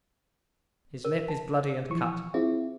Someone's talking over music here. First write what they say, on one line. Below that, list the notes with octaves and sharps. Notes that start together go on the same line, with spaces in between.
His lip is bloody and cut.
A#4
A5
E3 F3 C#6
C4 E4 F4 G#4 E5